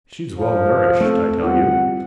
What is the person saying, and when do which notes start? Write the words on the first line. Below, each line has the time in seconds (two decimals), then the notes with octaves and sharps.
She's well nourished, I tell you.
0.38 F3
1.00 A3 C4
1.43 G3 C4 F4 F#5